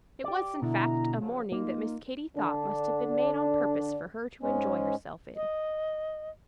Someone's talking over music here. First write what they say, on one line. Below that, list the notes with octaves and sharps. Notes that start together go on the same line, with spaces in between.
It was, in fact, a morning that Miss Katy thought must have been made on purpose for her to enjoy herself in.
G4 D5
B2 D3 E4 A#5
C#3 F3 F#3
A#3 D#4 F4
D3 D4
G#2 G#3 C#4
D#5